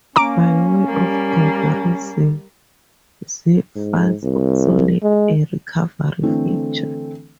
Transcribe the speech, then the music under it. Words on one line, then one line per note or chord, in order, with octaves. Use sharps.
By way of comparison, zip files also lack a recovery feature.
A#3 C#4 A#5 D6 D7
G3 A#3
G#2
C2
G#3
D3 E3 A3 C4